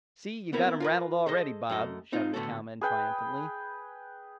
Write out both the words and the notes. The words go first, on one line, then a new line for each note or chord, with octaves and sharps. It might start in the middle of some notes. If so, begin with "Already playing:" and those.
"See, you've got him rattled already, Bob," shouted a cowman triumphantly.
B3 C4 E4 A#4 B4
F4 A#4 B4
G#4 A4 C5 D#5
F#2 A3 D#5
C4 D#4 F4 F5
A2 D3 A3 B3 F#4 A4
G#4 B4 G5